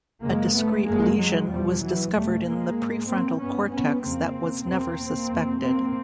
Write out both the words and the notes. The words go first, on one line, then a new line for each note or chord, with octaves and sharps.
A discrete lesion was discovered in the pre-frontal cortex that was never suspected.
F#2 C#3 G#3 A#3
A3 B3
F#2 C#3 G#3 A#3
F#3 G#3
E2 B2 F3 G3
E3 F#3
E2 B2 G3 A3
G#3 A#3
G#2
A#3 C4
G2 B3 C#4
B3 C#4
F2 C#3 A#3 C4
E2 B2 A#3 C4
F2 C3
A#3 C4